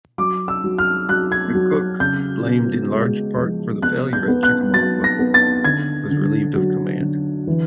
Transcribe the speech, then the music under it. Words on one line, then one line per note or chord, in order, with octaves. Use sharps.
McCook, blamed in large part for the failure at Chickamauga, was relieved of command.
F#3 D6
E6
F#3
F6
F#3 F#6
G#6
F#3
C#3 G6
B3
G#3
F3
B3 F#6
G6
B3
F#6
F#3 A6
A#6
B3
A6
D3 G#6
D3
F#3
D3
E3